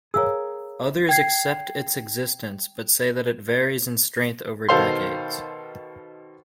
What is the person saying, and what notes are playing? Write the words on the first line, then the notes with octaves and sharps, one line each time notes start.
Others accept its existence but say that it varies in strength over decades.
G#4 A#4 C#5 F5 E6
G5 G#6 C7
B2 D#3 A4 C5 F5 C6